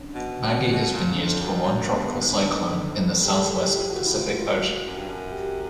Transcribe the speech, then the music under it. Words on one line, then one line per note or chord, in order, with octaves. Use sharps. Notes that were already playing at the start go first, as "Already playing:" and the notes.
Maggie has been used for one tropical cyclone in the southwest Pacific Ocean.
Already playing: C#4 D4
B2
B2 C4
B2
A#2
D4
F2 C#4
F#2
F#2
G2 B3
A#3
B3
G#2
D4
A2 D#4
G4
G#4
G4
F4
F#4
E4
F4
F4
F#4
F#2
G2
F#2
G4